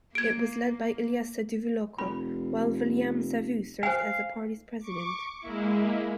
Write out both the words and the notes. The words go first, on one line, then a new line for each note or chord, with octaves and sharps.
It was led by Iliesa Duvuloco, while Viliame Savu served as the party's President.
A#3 G#6 D7
F1 B5
C5 F5 G#5
C#6 D6
G#3 A#3 E4